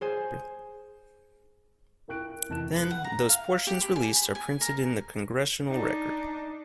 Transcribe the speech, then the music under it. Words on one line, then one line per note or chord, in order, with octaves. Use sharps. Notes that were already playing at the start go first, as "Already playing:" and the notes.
Then, those portions released are printed in the Congressional Record.
G#4 C5 G#5
E4 A#4 G5 C#6 F#6 D7
F1 E3 A5 F#6 E7
B4
F#5
A#5
F5
G4
B5
G#5
B5
G#5
A#4
D4 D#4